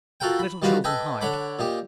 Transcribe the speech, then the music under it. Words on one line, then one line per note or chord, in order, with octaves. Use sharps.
Little children hide.
F4 F#4 A4 A#4 F#5 G5
B5
D#3 G3 F4 F#4 B4 C5
A4 B4 D#5 G5 G#5
D3 C#5 F#5 B5 D6
A#2 D#4 G4